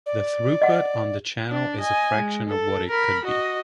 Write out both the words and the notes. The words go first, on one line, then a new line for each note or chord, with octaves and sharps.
The throughput on the channel is a fraction of what it could be.
D5
D#5 F#5
D4 D5
D#5 G#5
G#3
A4
A#4 B5
F#4 D#5